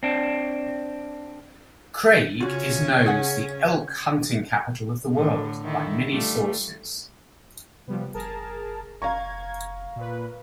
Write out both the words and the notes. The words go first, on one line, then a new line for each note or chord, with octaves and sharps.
Craig is known as the "Elk Hunting Capital of the World" by many sources.
C4 D4
C#3 C#4 F4 F#4
G#4 F#5
A2 D3
D3 D#3 E4
G3 A3 F4
C3 F3 G3 B3
F#1 G#4 A#4 A5
F1 F5 A#5 C#6 G#6
A#2 B4